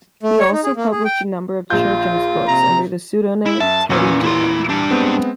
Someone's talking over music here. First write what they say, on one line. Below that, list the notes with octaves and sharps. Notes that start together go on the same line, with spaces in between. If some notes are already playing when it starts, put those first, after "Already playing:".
He also published a number of children's books under the pseudonym Teddy Jam.
A3
C#5
D#4
G#4
A#3
G#4
G5
A#1 F4 G6
C3 A#5
E4
F#2 E5 A5
E2 A#2 E3 C#4
E4 C6
G3 D4
G#3 B3 C4